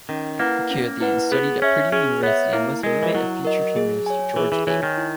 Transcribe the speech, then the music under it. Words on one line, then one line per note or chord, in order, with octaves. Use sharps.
McCutcheon studied at Purdue University and was a roommate of future humorist George Ade.
D#3 C#4
A#3 E4 B4 F#5
C#4
E4 B4 F#5
B3 G#4
C#4 C#5 E5
C#4 G#4
B3 C#5 E5
A#3 E4
G#3 A#4 D#5
E3
F#3 E4
A#4 D#5
G#4
C#5 G#5
E3 G#4
E3
E3 C#5 G#5
D#3
E4